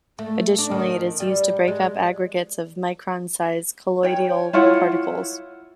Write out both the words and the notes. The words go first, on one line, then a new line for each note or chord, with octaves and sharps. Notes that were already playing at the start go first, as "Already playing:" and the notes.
Additionally, it is used to break up aggregates of micron-sized colloidal particles.
A3
D4
D#3
G3
G#3
C#5 G5
E4 F4 C#5 F#5